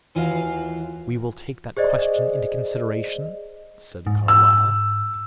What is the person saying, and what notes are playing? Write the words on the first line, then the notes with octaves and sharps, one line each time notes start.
"We will take that question into consideration," said Carlyle.
D#2 E3 F4 F#4 E5 F5
G#4 C5 D5 D#5
G#2
E6